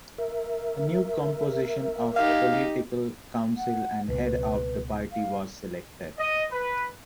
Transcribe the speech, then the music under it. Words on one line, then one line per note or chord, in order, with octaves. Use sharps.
The new composition of the Political Council and Head of the Party was selected.
A#4 E5
D#4 G4 F5
F#5
C#2 B2 B4
F5
D#5
B4